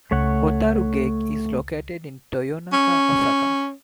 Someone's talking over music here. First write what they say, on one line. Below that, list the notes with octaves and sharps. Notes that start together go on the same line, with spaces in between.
Hotarugaike is located in Toyonaka, Osaka.
C#2 A3 C#5 F#5
C#4